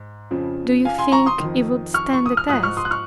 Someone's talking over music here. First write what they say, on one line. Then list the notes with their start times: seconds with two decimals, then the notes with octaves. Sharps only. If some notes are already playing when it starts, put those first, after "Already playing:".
"Do you think he would stand the test?"
Already playing: G#2
0.31 F2 C#3 F3
0.85 F5 G#5
0.98 G#5 C6
1.12 A#5 C#6
1.26 C6 D#6
1.40 F2 D#3
1.94 C#6 F6
2.13 C#6
2.26 D#6
2.37 F6
2.49 G#2 F3 D#6 F#6
2.63 C#6 F6
2.77 C6 D#6
2.85 F#6
2.91 C#6 F6